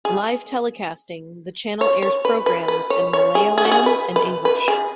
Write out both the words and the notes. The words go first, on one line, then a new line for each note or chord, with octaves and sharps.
Live telecasting The channel airs programs in Malayalam and English.
G#4
C#5
C#5
B4
B4
B4
C#5
C#5
G#4
G#4
F#4
G#4
B4
B4
B4
G#4